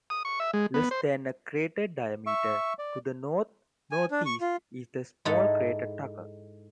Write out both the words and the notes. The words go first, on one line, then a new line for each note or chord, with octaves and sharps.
Less than a crater diameter to the north-northeast is the small crater Tucker.
D#6
C#6
E5
G#3
B3
C5
E5 C#6
D5
G#5
D4
C#6
F4
G#2 D#4 E4 A4 F#5